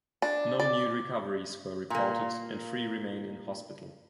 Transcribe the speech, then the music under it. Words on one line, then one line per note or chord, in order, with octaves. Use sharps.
No new recoveries were reported and three remain in hospital.
D4
D5
A#2 A#3